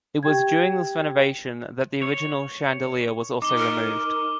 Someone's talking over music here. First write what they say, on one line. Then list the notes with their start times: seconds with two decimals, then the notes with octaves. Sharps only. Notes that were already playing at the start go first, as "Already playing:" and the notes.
It was during this renovation that the original chandelier was also removed.
0.23 G4 G5 G#6
2.02 C#5
3.42 D#4 D6 G7
3.58 A#4